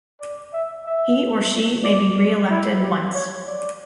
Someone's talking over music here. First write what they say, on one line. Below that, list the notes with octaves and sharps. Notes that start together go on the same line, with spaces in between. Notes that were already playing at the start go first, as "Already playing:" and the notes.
He or she may be reelected once.
D5
E5
E5
D5
D5
E4
G4
C#5
D5